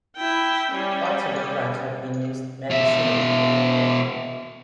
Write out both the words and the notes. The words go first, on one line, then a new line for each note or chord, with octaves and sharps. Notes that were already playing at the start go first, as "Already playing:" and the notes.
Parts of the plant have been used medicinally.
E4 G5
G3 C#4
B2 E5